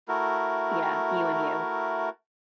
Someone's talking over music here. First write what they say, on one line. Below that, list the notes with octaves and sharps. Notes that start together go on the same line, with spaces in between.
Yeah, you and you.
A3 E4 F#4 A#4